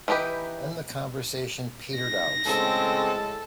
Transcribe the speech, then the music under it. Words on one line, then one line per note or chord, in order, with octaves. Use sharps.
Then the conversation petered out.
E3 D4 D#4 G4 B4
A#6
A2 C#3 G#3 C4 A4